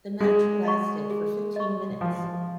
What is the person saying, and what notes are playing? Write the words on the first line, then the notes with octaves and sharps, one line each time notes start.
The match lasted for fifteen minutes.
G#3 G#4
D#5 C#6
G#4
D#5 C#6
F3 A#4
F3